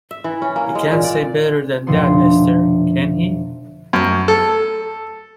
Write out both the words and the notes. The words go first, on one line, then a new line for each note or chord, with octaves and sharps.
He can't say better than that, Esther, can he?
E5
E3
C#4
A#3
G#3
A#2
D5
F1 B2 D3 F3 B3 C6
F#2
A4